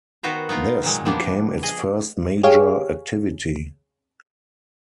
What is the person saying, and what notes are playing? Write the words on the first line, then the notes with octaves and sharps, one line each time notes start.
This became its first major activity.
D#3 B3 F#4 B4 C5 A#5
B3 D#4 F4 A#4
A#2 D#3 F#3 G#3
F3 G3 A#3 B3 D4
G#4 D#5
G4 G#4 C#5 F5